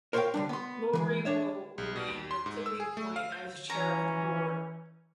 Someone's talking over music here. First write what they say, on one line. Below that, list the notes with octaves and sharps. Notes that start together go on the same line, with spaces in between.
Lurie will remain with Tipping Point as chair of the board.
A#4 C5 C#5 E5 F5 G5
D3 G3 D4
B3 C6
E3 F#3 G#3
D4 C#5 E5
B1
B2
D#2
C6
G#2
E6
G#4
A3
F5
G6
E3 C#4 A#5